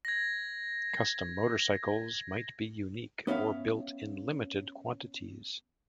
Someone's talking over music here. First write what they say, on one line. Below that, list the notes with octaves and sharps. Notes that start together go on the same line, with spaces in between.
Custom motorcycles might be unique, or built in limited quantities.
G#6 A#6
B3 C#4 E5 F5